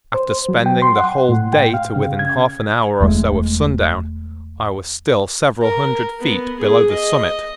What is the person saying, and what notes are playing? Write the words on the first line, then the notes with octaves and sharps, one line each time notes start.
After spending the whole day to within half an hour or so of sundown, I was still several hundred feet below the summit.
C5
F#3
G5
C6
F#5
A2
G5
F5
C#3
G#6
E1 E2 G#3 A3
A#4
B3
G#4
D#5